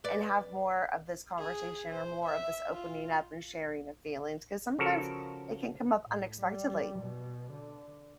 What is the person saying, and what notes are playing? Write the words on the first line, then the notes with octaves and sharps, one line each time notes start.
and have more of this conversation or more of this opening up and sharing of feelings," 'cause sometimes it can come up unexpectedly
B4 D5
G#4
C5
E5
F4
C#3 F3 F#4 A4 A#4
A2
G3
B2
D3